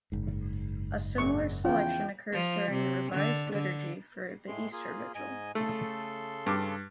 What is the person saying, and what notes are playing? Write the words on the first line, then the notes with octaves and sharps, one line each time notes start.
A similar selection occurs during the revised liturgy for the Easter Vigil.
F#1 G#2
F#2 A#2 C#3 C#6
E2 C#3 F3 F4 G5
F3
C3
D3
D3
A2 G#3 C6
A#3 F4 G#4
G#2 D#5 G#5
C#3 A3 A4 C6
G2 D6